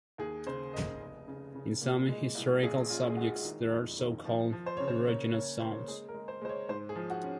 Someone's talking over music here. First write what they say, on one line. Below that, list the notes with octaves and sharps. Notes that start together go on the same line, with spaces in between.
In some hysterical subjects there are so-called erogenous zones.
D#2 G#4
C#3 C5
A#3 D#5
F1
C#3
C#3
A#2
G#3
C2
A#1 G#4
C#4 F4
G#4
G#3 F#4
D#3
F2
D#3
F3
F3
C5
C#3 C#5
C5
A#3 C#5
A#3 C#5
A#3 C5
G#3 G#4
A#4
G#3
C5
G#3 C5
C#5
G#2 C5
G#4
F3
F#4
C#4